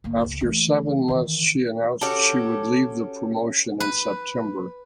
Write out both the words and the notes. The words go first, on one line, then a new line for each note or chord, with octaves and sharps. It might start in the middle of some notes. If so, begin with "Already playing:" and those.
After seven months she announced she would leave the promotion in September.
G1 A#3
C#2 F#2
E3 A3
D#3 E3
C#4 F#4 G4 A4
B4